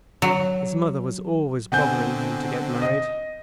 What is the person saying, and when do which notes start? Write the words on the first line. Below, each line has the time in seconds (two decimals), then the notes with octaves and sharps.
His mother was always bothering him to get married.
0.22 F#3
1.72 B2 D3 C4 F#5 G#5 G6
2.82 D#5